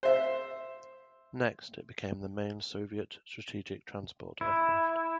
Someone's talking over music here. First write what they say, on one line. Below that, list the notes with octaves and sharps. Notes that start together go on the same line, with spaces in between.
Next it became the main Soviet strategic transport aircraft.
C5 E5
E4